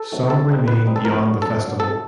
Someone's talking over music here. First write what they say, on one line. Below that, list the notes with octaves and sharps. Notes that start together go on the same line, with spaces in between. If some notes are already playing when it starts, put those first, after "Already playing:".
Some remain beyond the festival.
Already playing: A4
C3 D#3 F#3 A3
D#3 A4
G3 C4 D#4
D#3 B4
G3 C4 D#4
A4
F2 A#4
D3 F#3
F2 A4
D3 F#3
C3 A4